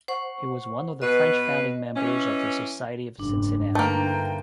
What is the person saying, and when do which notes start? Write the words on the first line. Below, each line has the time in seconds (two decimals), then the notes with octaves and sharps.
He was one of the French founding members of the Society of Cincinnati.
0.08 C5 F#5 C#6
1.02 B2 B4 D#5
1.96 E3 C#4
3.19 F#1 G#2 D4
3.75 G2 D3 E3 A3 A#3 D#4 G5